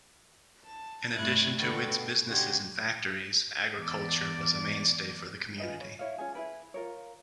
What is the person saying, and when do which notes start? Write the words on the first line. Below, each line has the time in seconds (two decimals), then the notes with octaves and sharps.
In addition to its businesses and factories, agriculture was a mainstay for the community.
0.64 A5
1.14 G2 C3 A3 E4 F#6 G#6
1.59 D3 F#4 A4 B4 G5 C#6
1.93 B2
2.27 C#3 D4 F#4 G4 C6 G#6
3.78 E2 D5
5.58 F4 B4 D#5 G#5
5.81 C#5
5.99 E4 C#5 F5
6.18 C#4 F4 G#4
6.35 E4 G#4 B4
6.74 F4 A#4 C#5